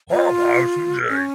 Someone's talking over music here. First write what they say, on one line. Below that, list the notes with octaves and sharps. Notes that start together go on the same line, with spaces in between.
Hobhouse and J.
F4
C#4